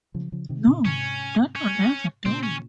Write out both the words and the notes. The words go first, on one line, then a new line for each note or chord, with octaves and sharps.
No, that would never do.
C#3 F3
C#3 F3
C3 D#3
A#2 C#3
G#2 C3 C#4
C#4
A#2 C#3 C4
C#4